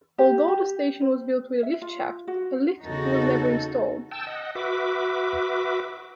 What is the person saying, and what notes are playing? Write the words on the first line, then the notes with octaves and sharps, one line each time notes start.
Although the station was built with a lift shaft a lift was never installed.
G4
G4
C5
E5
F4
F#4
E2 C#3 D#4 F#4 A4
G5 A5 E6
D#5 F#5
F#4 B4 E5 D6